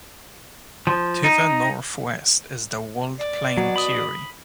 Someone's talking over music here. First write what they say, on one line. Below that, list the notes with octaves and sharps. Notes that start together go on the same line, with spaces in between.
To the northwest is the walled plain Curie.
F3
D#4
D5
B2 F#3
B5 D#6